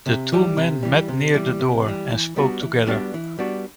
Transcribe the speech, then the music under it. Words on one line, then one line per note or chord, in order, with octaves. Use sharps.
The two men met near the door, and spoke together.
C3
E3 G3
C3
E3 G3
C3
E3 G3
C3
E3 G3
E3
G3 B3 D4 F#4
E3
G3 B3 D4 F#4
E3
G3 B3 D4 F#4